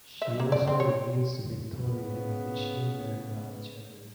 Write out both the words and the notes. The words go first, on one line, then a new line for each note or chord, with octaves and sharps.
She also reveals to Victoria that she and Derek love each other.
E5
A#3
D5
C4
C#5
C#3 B3